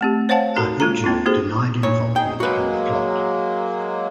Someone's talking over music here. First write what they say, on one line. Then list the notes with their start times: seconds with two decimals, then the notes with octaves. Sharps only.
Ahidjo denied involvement in the plot.
0.01 A3 C4 G4
0.29 C5 C#5 F5 F#5 G#5 A5
0.57 D#4 F#4 A4 A#4 A#5
0.80 G#3 A#3 F4 A4 A#5
1.04 A#3 C4 E4 F4
1.26 A#3 D#4 F#4 G#4 A4 C5
1.83 A#2 C#5
2.16 D2 D#4 G#4 G5
2.40 F#3 G#3 A#3 F#4 B4